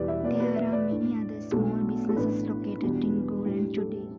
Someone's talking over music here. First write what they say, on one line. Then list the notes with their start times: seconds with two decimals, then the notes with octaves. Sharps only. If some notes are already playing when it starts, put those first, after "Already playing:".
There are many other small businesses located in Gulen today.
Already playing: E1 E2 E3 G3 E4 G4 B4 D5
0.08 E5
0.24 E2 B2 B3 D5
0.35 D5
0.40 B4
0.56 E5
0.72 D5
0.89 A2 A3 D4
1.52 B1 B2 A3 D4 A4
2.09 A4
2.16 A1 A2 A3 D4 B4
2.81 E2 B2 G3 D4
3.45 A2 G3 D4 G4
3.77 A4